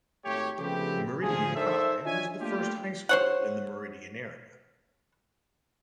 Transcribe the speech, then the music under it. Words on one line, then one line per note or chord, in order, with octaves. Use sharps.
Meridian High was the first high school in the Meridian area.
G#1 A3 G4 C#5
C#3 F3 A3 B3 C4 G4
D2 F3 G#4
D#4 A4 A#4 C5 D5 E5
D4 F4 C#5 D#5 E5 G#5
A3 A#3 D4 F4 G4
C5 C#5 F#5